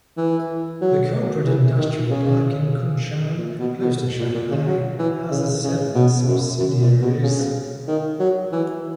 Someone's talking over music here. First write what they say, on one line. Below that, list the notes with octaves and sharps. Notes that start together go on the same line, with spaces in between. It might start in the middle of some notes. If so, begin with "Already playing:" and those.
The corporate industrial park in Kunshan, close to Shanghai houses seven subsidiaries.
E3
F#3
E3
D#3
C#3
A#2
B2
B2
A#2
A#2
C#3
F#3
E3
C#3
C#3
B2
F#2
F#2
A#2
B2
C#3
D#3
F#3
E3